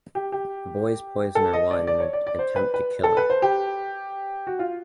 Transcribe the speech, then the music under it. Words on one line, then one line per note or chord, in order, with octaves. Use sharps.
The boys poison her wine in an attempt to kill her.
G4
G4
A4
D#5
D5
D5
C#5
D5
D5
C5
B4
B4
A4
B4
C5
G4
F#4
F4